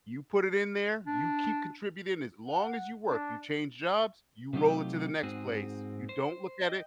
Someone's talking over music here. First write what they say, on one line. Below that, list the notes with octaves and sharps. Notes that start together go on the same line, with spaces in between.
you put it in there, you keep contributing as long as you work. You change jobs, you roll it to the next place. You don't look at it.
D4
F#5
D4
C3 F#3 A3 D#4 F4 G4
G#2 C4 F#4 G#4
C5
D#5 G5